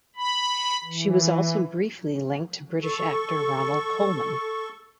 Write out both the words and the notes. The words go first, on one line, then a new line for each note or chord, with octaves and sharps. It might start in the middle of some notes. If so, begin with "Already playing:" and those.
She was also briefly linked to British actor Ronald Colman.
B5
E3
A4 C#6